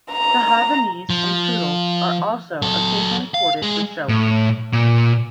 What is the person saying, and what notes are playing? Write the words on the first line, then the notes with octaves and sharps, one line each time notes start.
The Havanese and Poodle are also occasionally corded for showing.
A#5
F3
F#3 A4
F5
G#3 G#4
A2
A#2